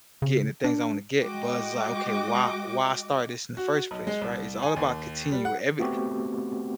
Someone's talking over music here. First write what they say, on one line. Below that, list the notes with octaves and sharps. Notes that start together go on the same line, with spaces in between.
getting the things I wanna get." But it's like, okay, why why start this in the first place, right? It's all about continue every
C#3
D4
G#3 F#4 D#5 G5 D6
F#4
B1
G#3
C2
G#5
D#2
G3
F#5
A3 B3 C4 F#4 G4